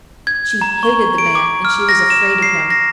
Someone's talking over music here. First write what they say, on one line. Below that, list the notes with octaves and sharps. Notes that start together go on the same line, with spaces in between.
She hated the man, and she was afraid of him.
G#6
A#5
C#6
D7
D6
F6
A#6
E7
C7
A#6